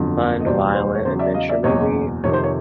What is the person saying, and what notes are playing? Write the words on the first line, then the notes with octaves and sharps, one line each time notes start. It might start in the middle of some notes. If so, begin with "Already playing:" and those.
fun, violent adventure movie
Already playing: G1 F2 D3 F#3
D#5
F#1 E2 B2 G3 C5 D5
C5
C5
C#5
E2 C#3 F#3 C5
D5 E5
D#5 F5
D5 E5
F#1 E2 B2 F#3 C#5 D#5
F2 C3 D#3 C#5
C5
C#5